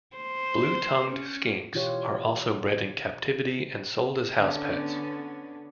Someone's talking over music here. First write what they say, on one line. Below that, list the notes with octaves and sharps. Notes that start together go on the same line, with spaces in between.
Blue-tongued skinks are also bred in captivity and sold as house pets.
C5
C#4
B2 E3 F4 G4 C#5
D3 B3 C#4